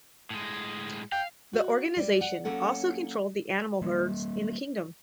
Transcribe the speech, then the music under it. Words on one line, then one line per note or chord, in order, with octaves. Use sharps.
The organization also controlled the animal herds in the kingdom.
A2 G#3
F5 G5
F#4
G3
F#5
F#3 A#3 C#4 A4 F#5
G3 A#3